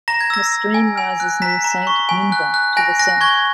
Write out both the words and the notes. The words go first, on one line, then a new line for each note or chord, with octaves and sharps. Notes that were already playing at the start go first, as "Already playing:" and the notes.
A stream rises near Saint Minver to the south.
A#5 A#6
G#6
E6 A#6
E6
G#5
G#5
F#6
A#5 B6
A#5
C#6
G#5
F#6
F#6
G#5 A#6
F#6 A#6
C#6 G#6